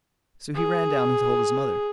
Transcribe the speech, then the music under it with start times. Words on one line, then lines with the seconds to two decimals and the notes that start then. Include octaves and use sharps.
So he ran down and told his mother.
0.54 G#4